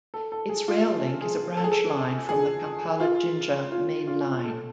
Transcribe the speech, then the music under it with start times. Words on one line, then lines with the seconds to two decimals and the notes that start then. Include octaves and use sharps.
Its rail link is a branch line from the Kampala-Jinja main line.
0.14 A4
0.32 A4
0.49 G#4
0.68 F4
1.21 G#4
1.57 A4
1.64 G#4
1.71 A4
2.29 G#4
3.00 F4
3.72 F4
4.07 F4
4.44 A4